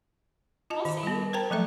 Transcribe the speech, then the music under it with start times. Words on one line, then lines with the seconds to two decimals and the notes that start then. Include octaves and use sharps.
Well, see?
0.70 F4 D#5 A5
0.85 D#3 D6
1.03 G3 B3
1.33 A#4 C5 G5 A5 A#5
1.50 F3 F#3 A3 A4 E5